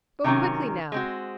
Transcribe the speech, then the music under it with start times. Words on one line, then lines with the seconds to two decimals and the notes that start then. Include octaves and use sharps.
Go quickly now!
0.24 C3 D#3 F#3 C#4
0.92 G#3 C4 F#4